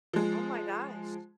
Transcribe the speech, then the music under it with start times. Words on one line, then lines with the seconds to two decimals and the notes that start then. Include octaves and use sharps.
Oh my gosh.
0.13 F3 G#3